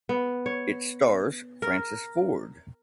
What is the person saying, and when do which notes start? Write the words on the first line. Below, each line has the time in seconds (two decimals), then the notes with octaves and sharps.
It stars Francis Ford.
0.09 B3
0.46 C#5
1.62 A#4